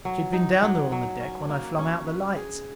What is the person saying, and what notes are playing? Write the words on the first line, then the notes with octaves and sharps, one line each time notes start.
She had been down there on the deck when I flung out the lights.
F#3
D#4
F#3
F#3
C#4
A#3
C#4
B4
G#4